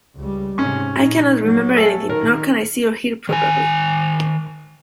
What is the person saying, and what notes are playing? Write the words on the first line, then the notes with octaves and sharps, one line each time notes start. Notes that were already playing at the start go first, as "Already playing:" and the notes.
I cannot remember anything, nor can I see or hear properly.
C#2 G3
G#2 C3 C#4 C#6
A#2 D#4
F#3
A4 E5 G#5
D#3 A#4
D#3 G#5